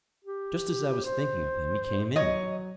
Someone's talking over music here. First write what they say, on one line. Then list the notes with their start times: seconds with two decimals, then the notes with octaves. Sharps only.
Just as I was thinking of him he came in.
0.25 G4
1.05 C5
2.16 F#3 C#5 D#5